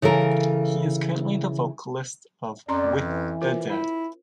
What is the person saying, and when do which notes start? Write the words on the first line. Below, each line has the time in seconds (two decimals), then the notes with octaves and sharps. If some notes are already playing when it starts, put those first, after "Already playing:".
He is currently the vocalist of With the Dead.
0.02 C#3 E3 A4 A#4
2.68 F2 C#4 D5 A#5 C6
3.00 E3
3.41 F4 A#4 C5
3.70 E4